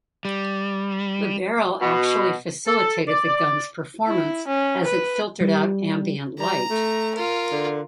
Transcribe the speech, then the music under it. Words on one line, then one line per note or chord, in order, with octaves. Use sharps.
The barrel actually facilitated the gun's performance as it filtered out ambient light.
G3
B2
A4
D5
E4
C#4
B4
G3
G3 A#5
A3
F4 A#4
D3